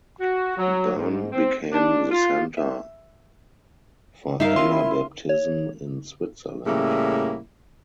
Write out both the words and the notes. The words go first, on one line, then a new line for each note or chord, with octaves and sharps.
Bern became the center for Anabaptism in Switzerland.
F#4
F#3
G#2
C4
D4
F4
E5
G2 D#4 A#4 E5 F5
A#3 C#4 E4 F4 C6
C#5
A2 C#3 G3 A#3 E4